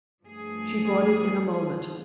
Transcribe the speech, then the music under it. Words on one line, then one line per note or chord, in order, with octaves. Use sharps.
She brought it in a moment.
G2 F3 A3 G#4